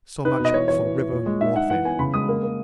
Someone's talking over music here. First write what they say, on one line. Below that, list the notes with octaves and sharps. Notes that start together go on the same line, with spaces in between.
So much for river warfare.
D#4 B4
B2
D#5
E3 C#5
E3 C#5
E3
E3
A#2
G#3
D#4 E5
D#4 F#5
E3 F#5
B3 G#5
C#3 B5
G#3 D#6
A#3
A#3